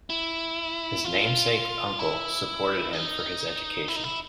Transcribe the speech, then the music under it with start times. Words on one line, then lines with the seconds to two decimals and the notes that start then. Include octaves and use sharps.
His namesake uncle supported him for his education.
0.10 E4
1.05 F4
1.99 E4
2.93 D#4
3.88 E4
3.96 D#4
4.04 E4